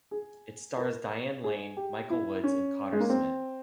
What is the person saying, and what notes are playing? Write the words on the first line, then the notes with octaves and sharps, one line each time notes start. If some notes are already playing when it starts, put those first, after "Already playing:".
It stars Diane Lane, Michael Woods, and Cotter Smith.
G#4
A#4
G#4
G4
E4
C#4
G#3
A#3
C4